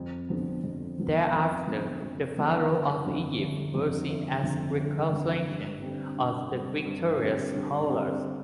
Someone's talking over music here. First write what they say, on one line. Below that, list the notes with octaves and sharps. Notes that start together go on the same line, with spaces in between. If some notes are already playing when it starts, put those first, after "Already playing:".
Thereafter, the pharaohs of Egypt were seen as reincarnations of the victorious Horus.
Already playing: F2
D3 F3 B3
F2
D3 F3 B3
F2
D3 F3 B3
F2
D3 F3 B3
G1
F2 D3
G1
F2 D3
G1
F2 D3
G1
F2 D3
G2
D3 G3 C4
G2
D3 G3 C4
G2
D3 G3 C4
G2
D3 G3 C4